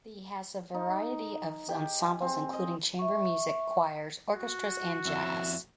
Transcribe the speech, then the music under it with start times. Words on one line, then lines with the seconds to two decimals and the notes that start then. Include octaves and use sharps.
The has a variety of ensembles including chamber music, choirs, orchestras and jazz.
0.74 D#4
1.69 G4
2.03 G#5
2.22 C4
2.53 D#5
2.99 E5 C#6
4.33 F#4
5.06 F2 E4